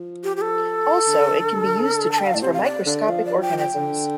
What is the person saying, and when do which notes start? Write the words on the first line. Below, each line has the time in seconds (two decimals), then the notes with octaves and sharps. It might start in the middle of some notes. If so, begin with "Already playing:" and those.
Also it can be used to transfer microscopic organisms.
Already playing: F3
0.24 G4
0.37 G4
0.41 A4
1.08 D3
2.12 A5
2.19 G5
2.26 F5
2.34 A2 D5
2.41 C3 C5
2.53 F5
2.64 D5
2.86 D3 D5
3.08 F3 F5
3.25 D5
3.41 G5
3.58 G5
3.75 D3